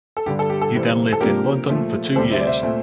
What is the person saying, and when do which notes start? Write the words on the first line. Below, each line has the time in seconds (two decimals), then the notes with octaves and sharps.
He then lived in London for two years.
0.17 A4
0.26 G2 D3 G3 G4
0.39 A4
0.50 G4
0.62 A4
0.75 C3 E3 G3 C4
1.13 A4
1.21 C3 F3 A#3 D4 G4 A#4
1.69 A#2 F3 A3
2.16 D2 C3 G3 A4 C5
2.32 C5 E5
2.40 D5
2.47 C5 E5
2.63 A#2 A3 C4